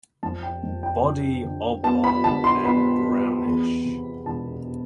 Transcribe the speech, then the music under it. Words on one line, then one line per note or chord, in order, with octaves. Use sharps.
Body oblong and brownish.
F2 A5
G5
F2
G5
D3
D3
B3 A5
B5
D3 A5
C6
B3 B5
B3
E2
C3
E1 A5